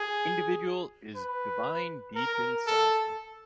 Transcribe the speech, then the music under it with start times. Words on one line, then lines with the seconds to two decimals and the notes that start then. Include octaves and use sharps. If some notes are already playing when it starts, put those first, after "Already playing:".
Individual is divine deep inside.
Already playing: G#4
1.15 B4
2.16 A#4
2.67 A4